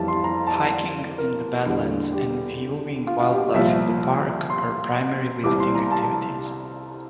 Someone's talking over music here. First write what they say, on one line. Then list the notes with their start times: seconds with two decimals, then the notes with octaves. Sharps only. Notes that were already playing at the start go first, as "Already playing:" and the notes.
Hiking in the badlands and viewing wildlife in the park are primary visiting activities.
Already playing: F2 E3 G3 A5
0.08 C6
0.24 A#5
0.47 A5
1.18 A#4
1.66 E2 D3 G3
2.13 G4
3.07 F4
3.20 F4
3.31 G4
3.42 G4
3.54 C2 A#2 F3 E5
4.50 C6
5.43 C2 C3 E3 G3 D6
5.60 C6
5.75 A#5
5.92 A5